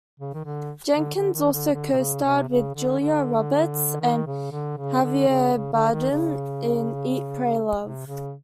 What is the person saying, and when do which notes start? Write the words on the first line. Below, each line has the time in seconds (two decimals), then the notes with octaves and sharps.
Jenkins also co-starred with Julia Roberts and Javier Bardem in "Eat Pray Love".
0.20 C#3
0.34 D#3
0.45 D3
0.95 D3
1.15 D3
1.34 D#3
1.53 D3
1.73 D3
1.93 C3
1.98 C#3
2.24 C3
2.48 C#3
2.74 D3
3.00 D3
4.01 D#3
4.27 C#3
4.52 D3
4.78 C#3
5.03 D3
5.28 C#3
5.54 C#3
5.73 D3
5.92 D#3
6.11 C#3
7.82 C3
8.07 C#3